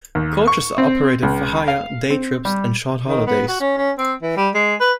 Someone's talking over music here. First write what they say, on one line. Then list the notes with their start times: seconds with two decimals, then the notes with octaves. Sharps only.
Coaches are operated for hire, day trips and short holidays.
0.15 D#2
0.47 C#6
0.78 C4
1.23 C#2
1.68 F5
2.10 C4
2.45 G3
3.07 D#3
3.27 B3
3.48 F#4
3.60 C#4
3.77 C#4
3.98 C4
4.22 E3
4.37 G3
4.54 G#3
4.80 B4